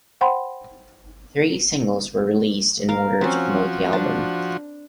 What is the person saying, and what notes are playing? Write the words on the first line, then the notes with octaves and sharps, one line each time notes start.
Three singles were released in order to promote the album.
C5 F#5 G5 B5 C6
A#4 F5
F3 C4 C#4 F#4
D4